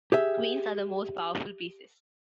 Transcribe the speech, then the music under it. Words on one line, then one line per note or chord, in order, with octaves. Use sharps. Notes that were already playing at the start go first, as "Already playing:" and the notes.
Queens are the most powerful pieces.
G4 G#4 E5